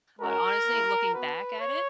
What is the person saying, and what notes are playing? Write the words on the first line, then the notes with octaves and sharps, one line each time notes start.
but honestly, looking back at it
G#3 C#4 F#4 A#4
A#3
E4
F#4 B4
B3
C#5